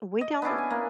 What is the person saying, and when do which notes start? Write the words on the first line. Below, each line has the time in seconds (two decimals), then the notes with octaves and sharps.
we don't
0.21 D#5
0.42 B3 C#4 D4 E4
0.58 G#5
0.70 A#3